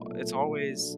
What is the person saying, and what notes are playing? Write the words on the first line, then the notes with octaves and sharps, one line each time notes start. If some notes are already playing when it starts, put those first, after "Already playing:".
a it's always,
Already playing: B1 A#2 F#3 A3
A#1 A#2 F#3 A3 D4